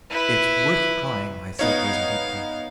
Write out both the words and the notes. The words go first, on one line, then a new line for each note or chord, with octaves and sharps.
"It's worth trying!" I said resolutely.
E4 B4
B3 D#4 C#5 F5